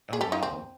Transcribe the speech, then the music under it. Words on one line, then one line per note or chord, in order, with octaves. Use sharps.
Oh, wow.
G#4
G4 A4
D#4 F4
C4